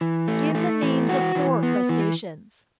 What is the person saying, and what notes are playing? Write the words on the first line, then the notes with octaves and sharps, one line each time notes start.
Give the names of four crustaceans.
E3
A3
A3
E3
F#4
E3
B3
E3